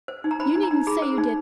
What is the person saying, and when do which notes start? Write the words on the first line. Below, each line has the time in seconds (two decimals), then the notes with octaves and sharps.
You needn't say you did.
0.08 C5
0.24 D#4
0.31 A#5
0.40 C5 B5
0.56 D#4
0.63 A#5
0.71 D#4
0.87 G#4 B5
1.02 C5
1.18 D#4